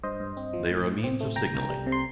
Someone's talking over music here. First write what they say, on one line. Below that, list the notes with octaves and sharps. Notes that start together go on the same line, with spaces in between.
They are a means of signaling.
G2 C5 D#5
G2
C4
F3
A2
A2
C4
A3
C2 G5 A#5
C2
G3
C3
C6